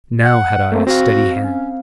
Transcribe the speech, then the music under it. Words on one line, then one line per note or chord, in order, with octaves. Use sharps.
"Now had I a steady hand!"
F#5
A3 A#3 C4
C4 F#4 F5
C#4